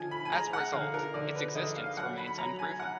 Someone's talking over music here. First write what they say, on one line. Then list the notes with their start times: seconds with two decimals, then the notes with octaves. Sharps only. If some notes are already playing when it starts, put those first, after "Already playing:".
As a result, its existence remains unproven.
Already playing: D3 F3 D#4 G#5
0.11 B5
0.25 G#5
0.32 G#3 A#5
0.53 F#5
0.73 D3 F5
0.94 A#4
1.14 D3 D5
1.35 B4
1.55 D3 D#5
1.76 F5
1.86 F5
1.97 F#3 F#5
2.17 B5
2.27 B5
2.38 F#3 A#5
2.59 G#5
2.80 F#5